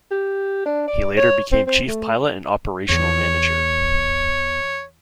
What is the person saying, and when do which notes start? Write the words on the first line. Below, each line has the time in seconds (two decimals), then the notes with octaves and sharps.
He later became Chief Pilot and Operational Manager.
0.11 G4
0.66 D4
0.87 D5
1.17 C#5
1.52 C4
1.67 C4
1.88 A3
2.89 E2 C#5